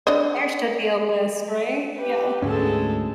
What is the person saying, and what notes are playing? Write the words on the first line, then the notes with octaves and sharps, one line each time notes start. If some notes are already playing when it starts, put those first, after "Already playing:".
There should be a list, right? Yeah.
D4 D#5
G4 B4
D2 G#2 G#3 C#4 A4